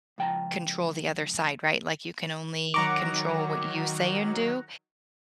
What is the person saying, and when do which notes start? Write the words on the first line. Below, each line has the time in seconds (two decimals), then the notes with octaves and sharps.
control the other side, right? Like, you can only control what you say and do.
0.18 C#2 F3 G5 A5 A#5
2.74 D#3 F#3 F#5 A#5 C#6 D6